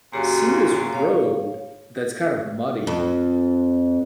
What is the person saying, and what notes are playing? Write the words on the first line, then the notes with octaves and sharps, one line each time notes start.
see this road that's kind of muddy,
F#2 A#2 C#3 F#4 G4
C#5 F5
F2